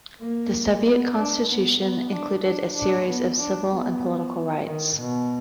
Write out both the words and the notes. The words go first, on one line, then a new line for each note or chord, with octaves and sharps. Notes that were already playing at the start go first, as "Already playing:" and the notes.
The Soviet Constitution included a series of civil and political rights.
A#3
B3
D4
B3
B3
D4
D4
D4
B3
D4
B3
D#3
B2